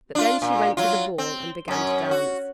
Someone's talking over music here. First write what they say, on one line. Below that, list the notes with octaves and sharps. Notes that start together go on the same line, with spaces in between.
But then she went to the ball and began to dance.
D4 F4
A#2
F#3 F4
C4
F#2 C#4
F#4